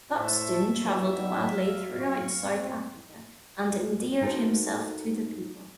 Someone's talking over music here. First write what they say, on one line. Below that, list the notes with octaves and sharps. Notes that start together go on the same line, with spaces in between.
Buxton travelled widely throughout South Africa, and endeared himself to the people.
A2 C5 E5 A5 C#6
D3 E3 F#3 C#6
G3 B3 D#4
F5
C#6
C4
D#4 F#4 A4 A#4 C5